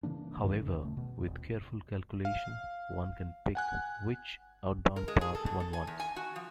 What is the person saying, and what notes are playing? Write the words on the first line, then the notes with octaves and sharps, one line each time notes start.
However, with careful calculation, one can pick "which" outbound path one wants.
C#3 E3 A#3 D4
F#2 D#3
C#3
D#1 A3
B2
D#1
F5
F#5 G#5 F#6
A#4
G#3
G#4
A4
B2
A4
G#5
E2
G#5
F#4
F3